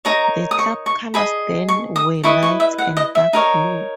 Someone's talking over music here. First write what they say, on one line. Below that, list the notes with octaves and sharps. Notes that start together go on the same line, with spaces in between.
The Club colours then were Light and Dark Blue!
D#4 A#4 C#5 A#5
D#6
C#6
C#6
G#4 D#5 B5
C#6
D#6
E4 B4 D#5 C#6
C#6
E5
F#5
D#5
E5
D#4 A#4 C#5